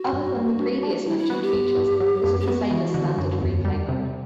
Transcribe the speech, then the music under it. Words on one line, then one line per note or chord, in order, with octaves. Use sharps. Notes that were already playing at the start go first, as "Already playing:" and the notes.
Other than the previous mentioned features, this is the same as standard free-play mode.
Already playing: F#4
G2
G3
D4
D4
G3 E4
E4
B3 F#4
G4
G2
G2
F#3
F#2
G4
B3 F#4
E3
D3
F#2
E2
G3
C3